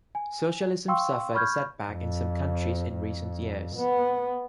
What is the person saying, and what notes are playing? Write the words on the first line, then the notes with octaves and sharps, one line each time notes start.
Socialism suffered a setback in some countries in recent years.
G#5
F5 G5 C6 C#6 E6
B5 C#6 F6 G6 G#6
F2
F2
B3